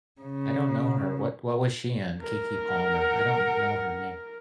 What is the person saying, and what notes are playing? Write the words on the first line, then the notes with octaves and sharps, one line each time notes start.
I don't know her. What what was she in? Keke Palmer. I don't kn know her name.
C#3
A#4
F#5